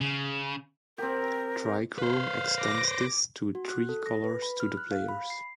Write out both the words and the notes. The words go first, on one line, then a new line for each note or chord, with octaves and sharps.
Trichrome extends this to three colors to the players.
C#3
C4 G4 A#4
B4 C5 F5
D6 A#6
F#4
F#6
A4
A#6
B4
B5
F6
F#6
F5
B5
C7